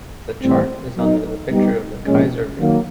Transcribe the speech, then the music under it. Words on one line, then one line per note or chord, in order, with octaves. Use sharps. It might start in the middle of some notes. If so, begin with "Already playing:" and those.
The chart is under the picture of the Kaiservilla.
A2 E3 G3 C4
F#3 B3 D#4
G3 B3 D#4 G4
A#2 F3 G#3 C#4
D#3 F#3 A#3